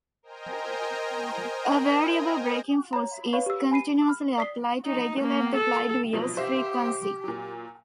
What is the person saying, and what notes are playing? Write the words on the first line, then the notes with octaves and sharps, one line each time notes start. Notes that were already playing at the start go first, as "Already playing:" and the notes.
A variable braking force is continuously applied to regulate the glide wheel's frequency.
A#4 C5 D#5 G5 G#5 A#5
C#5 A#5
B4 C#5 F5 B5 C#6
G4 E6
G#5 B5 C7 D#7
B5 F6
D5 D#6 B6 C7 G7
D#4
A#3
A4
B2 F3 F#3
G4 C5 E5 F5
A#2 F#3